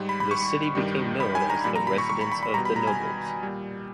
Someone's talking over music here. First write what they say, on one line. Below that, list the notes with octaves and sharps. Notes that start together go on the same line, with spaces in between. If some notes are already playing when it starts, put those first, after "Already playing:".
The city became known as the "residence of the nobles".
Already playing: G#2 G3
B5
B5
C#6
G2 D#3 G3
B5
G#5
A#5
A#2 G3 B5
A#5
B5
C#6
C#6
B5
B5
B5
B2 G3 A#5
B5
A#5
G#5
A#2 G3